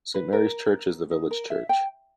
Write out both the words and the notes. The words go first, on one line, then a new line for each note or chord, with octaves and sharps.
Saint Mary's Church is the village church.
B4
A#4
D#4
A#4
E5
G5